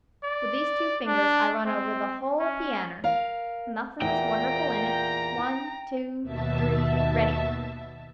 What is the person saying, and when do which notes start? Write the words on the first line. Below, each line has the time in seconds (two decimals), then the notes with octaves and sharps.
With these two fingers I run over the whole pianner. Nothin' wonderful in it: one, two, three--ready.
0.23 D5
1.07 D4
1.66 C4
2.39 C#4
3.04 A#4 F5
4.02 E2 A#2 G5 A#5
6.22 D#2 B2 E5 A5